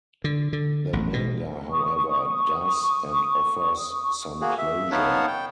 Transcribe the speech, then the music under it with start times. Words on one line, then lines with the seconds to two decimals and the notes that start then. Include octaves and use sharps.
The manga, however, does and offers some closure.
0.24 D3
0.53 D3
0.93 A1
1.13 B2
1.71 C#6 D#6
4.41 A#3 F#4 G#4
4.58 E5
4.91 B3 D#4 C#5 F5 F#5 A5
5.27 G5